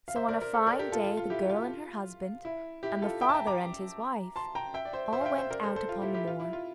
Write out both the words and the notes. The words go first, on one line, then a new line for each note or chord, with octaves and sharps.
So on a fine day the girl and her husband, and the father and his wife all went out upon the moor.
F5
C5 E5
A#4 D5
A#4 D5
A4 C5
A#4 D5
G4 A#4
F4 A4
F4
F4
E4 G4
F4
E4
E4 G4
F4 A4
E5 G5
A5
G5 A#5
A#5 D6
A5 C6
G5 A#5
E5 G5
D5
C5 E5
C5 E5
F5
E5 G5
C5 E5
A#4 D5
A4 C5
A4 C5
F4
E4 G4
E4 G4
F4
E4
F4